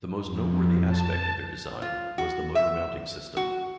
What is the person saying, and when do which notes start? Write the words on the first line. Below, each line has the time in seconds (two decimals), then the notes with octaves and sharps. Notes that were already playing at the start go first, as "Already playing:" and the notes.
The most noteworthy aspect of their design was the motor mounting system.
0.23 F2
0.85 A5
1.82 F4
2.18 F#4
2.55 E5
3.37 F#4